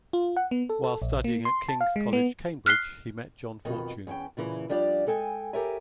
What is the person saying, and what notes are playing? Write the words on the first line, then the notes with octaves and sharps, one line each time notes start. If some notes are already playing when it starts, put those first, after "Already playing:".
While studying at King's College, Cambridge, he met John Fortune.
F4
F#5
B3
A4
A4
A#1
A#3
C6
A5
F5
G#3
B3
F6 F#6 B6 C7 G7
F2 B2 D#3
E2 C#4 G5
A#2 C#3 E3
F3 G3 D4 D5 F5
G#3 A4 G5 G#5
G4 A4 A#4 C#5 E5 G#5